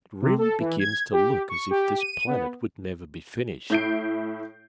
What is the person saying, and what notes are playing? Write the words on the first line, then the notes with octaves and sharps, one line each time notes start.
It really begins to look as if this Planet would never be finished.
C3
A4
E3
G#6
G4
C#6
G4
D#7
B3
A2 E4 G6 C7 D7